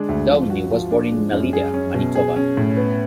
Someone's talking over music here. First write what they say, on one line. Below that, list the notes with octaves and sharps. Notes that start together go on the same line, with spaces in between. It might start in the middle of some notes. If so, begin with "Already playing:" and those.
Downey was born in Melita, Manitoba.
Already playing: D3 G#3 D4
D2
F3
F#4
F3
D4
G#3
F#2
G#4
C#4
B2
G#4
C#4
A2
B3